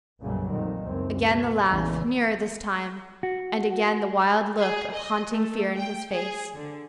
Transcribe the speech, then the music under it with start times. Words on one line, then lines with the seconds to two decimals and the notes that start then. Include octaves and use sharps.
Again the laugh, nearer this time, and again the wild look of haunting fear in his face.
0.22 B1 F#2 A#2 C#3 F#3 G3
0.51 F2 A#2 D#3
0.86 C#2 F#2 C4
1.21 B2 G#3
1.68 A#1 E2 C#3
3.23 F#4
4.58 G#4
4.93 D#5
5.31 A3
5.76 G5
6.12 G#4
6.55 D3